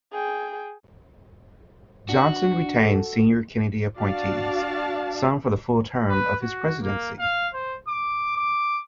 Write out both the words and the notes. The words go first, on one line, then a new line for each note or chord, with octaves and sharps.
Johnson retained senior Kennedy appointees, some for the full term of his presidency.
G#4 G5
D4 F#4
A4
D4 F#4 D5 F5 A5
B4
F#4
A#3
F5
C5
D6
D6